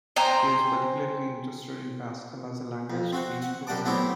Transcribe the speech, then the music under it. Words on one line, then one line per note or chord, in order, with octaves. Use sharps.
He was particularly interested in Pascal as a language to teach programming.
C5 G5 G#5 A#5
F2
C4 F#4 F#5
F#5
F#2 G3 F#5 A5 D6
F#3 A3 B3 C4 E4 G4